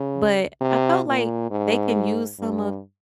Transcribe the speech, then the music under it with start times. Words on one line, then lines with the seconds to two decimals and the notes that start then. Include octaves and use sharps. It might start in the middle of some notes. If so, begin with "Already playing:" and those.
but, I felt like they can use some of
Already playing: C#3
0.61 C3
1.06 A#2
1.51 G#2
2.39 G2